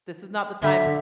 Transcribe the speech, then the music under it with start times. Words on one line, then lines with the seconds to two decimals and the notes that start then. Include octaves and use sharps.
this is not the time
0.62 D3 E5